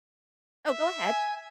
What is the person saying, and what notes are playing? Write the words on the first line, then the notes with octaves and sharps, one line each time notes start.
Oh, go ahead.
E5
G#5